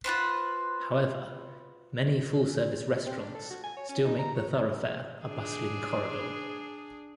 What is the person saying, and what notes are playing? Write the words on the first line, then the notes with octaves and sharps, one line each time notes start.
However, many full-service restaurants still make the thoroughfare a bustling corridor.
F4 F#4 B4 C5
C4
D4
A4
F#4
G#5
C#5
C#4
D#4
A#5
C#5
D4 G#4